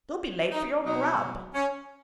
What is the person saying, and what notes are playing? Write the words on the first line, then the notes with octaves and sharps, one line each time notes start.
You'll be late for your grub!'
D#4
B2 F#3 D#4
C#4